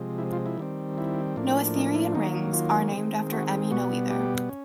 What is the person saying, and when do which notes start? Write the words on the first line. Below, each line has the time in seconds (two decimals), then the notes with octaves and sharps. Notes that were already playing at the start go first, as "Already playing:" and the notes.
Noetherian rings are named after Emmy Noether.
Already playing: C3 F3 G#3
0.19 E4
0.33 F4
0.46 E4
0.58 D#3 G3 C4
0.98 E4
1.36 A2 F3 A#3 D4
1.76 D#4
1.95 E4
2.15 D#3 F#3 A#3 D#4
2.53 F4
2.93 D#3 G#3 C4
3.32 F#4
3.71 B2 G3 B3 F#4
4.11 G4
4.49 C#4